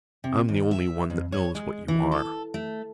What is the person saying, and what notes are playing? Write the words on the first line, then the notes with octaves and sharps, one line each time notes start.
I'm the only one that knows what you are.
C3
D#2
E5
F2
C#5
G#3
E3
A4
A3